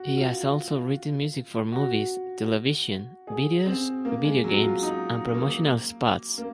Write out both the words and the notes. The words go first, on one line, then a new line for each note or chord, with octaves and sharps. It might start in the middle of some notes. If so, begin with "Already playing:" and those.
He has also written music for movies, television, videos, video games and promotional spots.
Already playing: F#4
F4
F#4
G#4
C4
A#3
G#3
F#3
F4
D#4
A#3
A#3